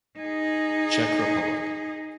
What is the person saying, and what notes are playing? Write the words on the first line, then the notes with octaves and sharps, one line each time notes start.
Czech Republic.
D#4 G#4